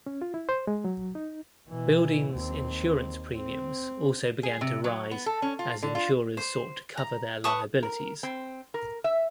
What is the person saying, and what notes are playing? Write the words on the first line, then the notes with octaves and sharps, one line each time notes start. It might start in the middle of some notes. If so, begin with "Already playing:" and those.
Buildings insurance premiums also began to rise as insurers sought to cover their liabilities.
C#4
F4
E4
C5
G#3
F#3
D#4
B2 E3
D#2 C4
C4
G#4
C3
F#3
B3
A4
C#4
F4
D3
F4
C5
A#5
B4 A5 C#6 D#6
A#4
C4
A#4
E5